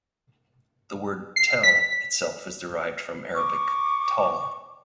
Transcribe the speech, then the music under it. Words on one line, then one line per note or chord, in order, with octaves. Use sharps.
The word "tell" itself is derived from Arabic "tall".
C7
B6
C#6 D6